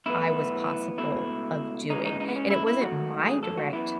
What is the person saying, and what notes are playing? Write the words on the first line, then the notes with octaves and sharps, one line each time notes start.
I was possible of doing, and it wasn't my direct,
B1 A2 E3 B3 E4
C#2 B2 A3 E4
C#2 C#3 E3 G#3 D#4
D#4
D#4
B3
C#4
E4
E4
G#2 D#3 F#3 A3 F#4
G#4
A4
F#4
F#2 E3 B3 E4